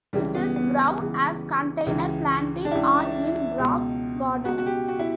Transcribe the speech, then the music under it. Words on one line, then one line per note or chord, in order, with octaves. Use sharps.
It is grown as container planting or in rock gardens.
C#2 C#3 E3 G3
B3
B3
B3
C#2 C#3 E3
C#2 C#3 E3
D4
C#2 C#3 E3 E4
C#2 B2
C#2 B2 F#4
F#4
G4
F#4
E4